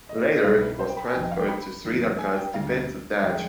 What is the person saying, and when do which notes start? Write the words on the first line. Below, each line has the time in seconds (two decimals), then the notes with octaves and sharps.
Later he was transferred to Sri Lanka as Defence Attache.
0.09 D#5
0.21 D5
0.33 D#5
0.44 C2 B2 G3 B3 F5
0.61 B4
0.79 C5
0.89 G5
0.97 B5
1.06 G#5
1.14 F1 F2 D#3 G5
1.23 D#5
1.31 F5
1.40 G5
1.49 B5
1.84 G1 F2 D#3
2.19 G#5
2.36 G5
2.54 D2 D3 G3 F5
3.23 F2 D3 G#3 G5